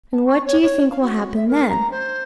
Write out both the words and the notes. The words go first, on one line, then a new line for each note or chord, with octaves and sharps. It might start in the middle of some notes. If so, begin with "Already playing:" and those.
And what do you think will happen then?
A5
C#6
C#5
C#5
F5
F#4
E5
A#4
A#5
C5